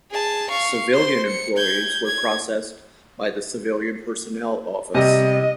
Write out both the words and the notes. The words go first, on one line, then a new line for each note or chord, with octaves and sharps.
Civilian employees were processed by the Civilian Personnel Office.
G#4 A5
F5 C#6
C5 C6
C#7
G6 G#6
G#6
C3 G3 D#5